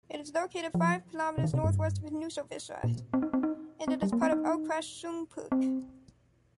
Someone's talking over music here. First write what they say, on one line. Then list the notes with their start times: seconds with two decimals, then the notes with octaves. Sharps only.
It is located five kilometers northwest of Hanušovice, and it is part of Okres Šumperk.
0.74 F3
1.38 C3
1.44 D#3
1.54 C3
1.64 G2
2.84 A#2
3.14 C4
3.22 D#4
3.33 C4
3.43 D#4
3.88 C4
4.02 G3
4.12 A#3
4.22 C4
4.32 D#4
5.52 C4